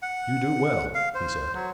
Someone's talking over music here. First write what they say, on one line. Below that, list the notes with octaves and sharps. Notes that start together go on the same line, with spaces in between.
"You do well," he said.
F#5
F5
C5
F#3